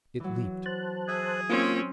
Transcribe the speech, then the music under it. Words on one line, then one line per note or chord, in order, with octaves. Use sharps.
It leaped.
E3 F#3
C5 A5 F#6
G#4 E5
A#3 C4 C#4 D#4 F4 C6